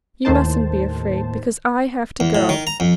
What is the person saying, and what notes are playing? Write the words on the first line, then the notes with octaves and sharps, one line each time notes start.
You mustn't be afraid, because I have to go.
D#2 A2 D#3 C5 A5
E2
A2
D#3
A#5
F2